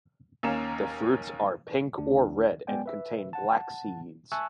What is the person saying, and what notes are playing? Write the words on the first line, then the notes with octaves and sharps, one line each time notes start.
The fruits are pink or red and contain black seeds.
D#2 A#3 C#4 A#5 E7
D2 D4
G#3 B3 D5 G5 G#5
B4 E5
F#5 A5
E5 G#5 A5 C#6 E6 F#6